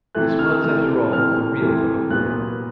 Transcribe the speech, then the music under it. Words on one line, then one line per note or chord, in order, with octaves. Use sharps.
This was, after all, the real tug of war.
C3 E3 A3 F#6
F6
C3 E3 A3 F6
C3 E3 A3 F6
C3 E3 A3
A#2 F#3 B3 F#6